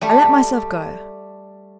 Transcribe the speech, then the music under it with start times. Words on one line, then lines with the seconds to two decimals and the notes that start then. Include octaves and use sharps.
I let myself go.
0.01 G3 A3 G4